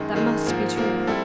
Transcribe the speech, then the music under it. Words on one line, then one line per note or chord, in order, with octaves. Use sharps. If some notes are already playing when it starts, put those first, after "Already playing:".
That must be true.
Already playing: F#2 D#3 G#3
F#2 D#3 G#3
G#2 F3 A#3
G#2 F3 A#3
G3 C4 E4 A4